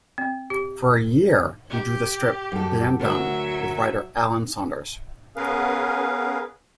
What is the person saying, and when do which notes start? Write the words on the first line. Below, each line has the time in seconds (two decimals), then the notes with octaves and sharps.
For a year he drew the strip "Dan Dunn" with writer Allen Saunders.
0.18 C4
0.50 G4
1.70 G4
2.52 F#2 A4
2.99 D2 F#3 A#4 E5
5.36 B3 C#4 G#4 A#4 B4 F5